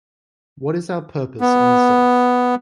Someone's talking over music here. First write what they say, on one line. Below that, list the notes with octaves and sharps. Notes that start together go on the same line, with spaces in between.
What is our purpose on this earth?
B3